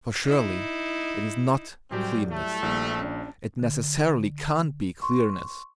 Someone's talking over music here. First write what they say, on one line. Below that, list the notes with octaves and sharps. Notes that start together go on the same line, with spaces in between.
For surely it is NOT clearness--it necessarily can't be clearness.
D#4 E4
A2 F#3 G3 C4 C#4 G4
A3
A#1 D#3 G3 A#3
C#4 D4
D3
C6 C#6